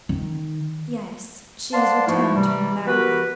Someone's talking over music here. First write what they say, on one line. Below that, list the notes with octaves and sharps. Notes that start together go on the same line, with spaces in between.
"Yes; she has returned from America."
D#3
C5 D5 F5 F#5 A5 C6
G#2 F3 A3 D#4 E4 F#4
C3 E3 G3
B3 F#4 G4 A#4 B4